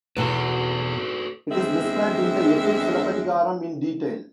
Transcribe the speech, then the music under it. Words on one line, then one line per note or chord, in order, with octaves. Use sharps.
It is described in the epic Cilapatikaram in detail.
E2 B2 F#4 A4 B4
E2 D3 G3 G#3 C4 E5